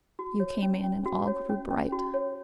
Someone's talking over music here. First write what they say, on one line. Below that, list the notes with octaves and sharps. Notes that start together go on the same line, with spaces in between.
You came in and all grew bright.
F#4
C#5
C#4
C#4
F#4
C#5
C#4
C#4
F#4
C#5